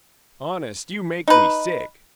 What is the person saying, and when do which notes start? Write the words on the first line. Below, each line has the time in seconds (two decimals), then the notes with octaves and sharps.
"Honest, you make me sick!"
1.28 D#4 B4